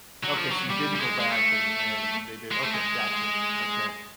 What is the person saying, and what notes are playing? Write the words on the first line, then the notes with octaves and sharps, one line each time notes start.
Okay, so you didn't go back and and they did okay, gotcha, okay.
F#3
F3
F#3
G3
G3
G#3
G#3
A3
G#3
A3
G#3